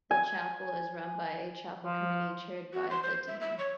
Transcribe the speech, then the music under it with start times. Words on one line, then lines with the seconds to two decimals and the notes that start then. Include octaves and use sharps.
The Chapel is run by a Chapel Committee chaired by the Dean.
0.11 G#5
1.84 F3
2.73 F#4
2.90 C6
3.03 C5
3.27 E5
3.41 E5
3.58 C#5